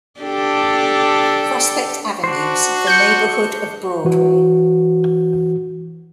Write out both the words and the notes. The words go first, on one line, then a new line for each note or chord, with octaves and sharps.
Prospect Avenues, the neighborhood of Broadway.
D4 G4 A4
D4 F#4 C5
G6 C#7
E3 F#4